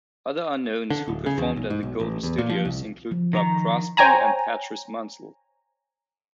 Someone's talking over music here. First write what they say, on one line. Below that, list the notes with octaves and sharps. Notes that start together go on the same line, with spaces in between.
Other unknowns who performed at the Golden Studios include Bob Crosby and Patrice Munsel.
D3
D1
C#3
E2
B1
G#2
B1
A1
E2
A#2
F3
C2
F3
D#3 A#5
C5 C#5 G5 G#5 A#5